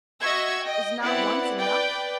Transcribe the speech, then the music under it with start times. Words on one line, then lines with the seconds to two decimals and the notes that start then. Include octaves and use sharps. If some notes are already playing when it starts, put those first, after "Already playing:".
Is not once enough?
0.20 F#4 D#5 E5 C#6 E6 G#6
0.62 D#5 G5
1.02 B3 C4 E4 D5 F#5
1.58 B4 D5 G5